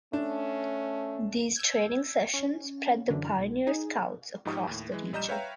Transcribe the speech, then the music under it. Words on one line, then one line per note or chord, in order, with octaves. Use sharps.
These training sessions spread the Pioneer-Scouts across the region.
A3 C#4 D4
E6 G6 G#6
C#4
F#2 D3 E3
B1
D#4 G#4
G#2 F3 D#4 G4 C#6 D#6
D#2 A2
E3 G#3
A#1 G3 D#5 A#5 G6 E7
B4 C#5 E5 F5 G5 A#5